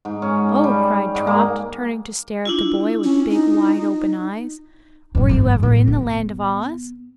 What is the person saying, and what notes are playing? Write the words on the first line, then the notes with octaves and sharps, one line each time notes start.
"Oh!" cried Trot, turning to stare at the boy with big, wide-open eyes; "were you ever in the Land of Oz?"
G#2
C#4
G3
G#2
A#3
D4 E4 F4
C#4
D#4
F#2 A2
D#2 G#2
A2
B3